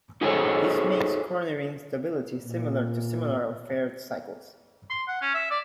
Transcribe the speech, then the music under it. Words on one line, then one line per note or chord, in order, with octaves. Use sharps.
This makes cornering stability similar to similar unfaired cycles.
D#4 F#4 G#4 A4 C5 C#5
A#2
C6
F#5
C#4
E5
D5